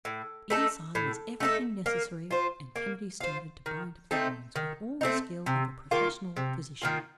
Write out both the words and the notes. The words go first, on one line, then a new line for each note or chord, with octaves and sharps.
Inside was everything necessary and Kennedy started to bind up the wounds with all the skill of a professional physician.
A2
A3 D#4 A4
A2
A3 D#4 A4
A#3
F4 C5
A#3
F4 C5
D#3
A3 C4 D#4
D#3
A3 C4 D#4
C3
D#3 A#3 F4
C3
D#3 A#3 F4